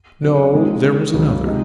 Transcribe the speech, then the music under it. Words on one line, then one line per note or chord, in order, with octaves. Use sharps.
'No there was another.
C#3 F#3 C4
F3 G#3 C4 D#4
D#3 G#3 D#4
C#2 C#3 F#3
C3 F3 G#3 D#4